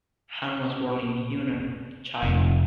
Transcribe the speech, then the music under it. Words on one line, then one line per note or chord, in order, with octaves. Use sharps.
Han was born in Hunan, China.
F1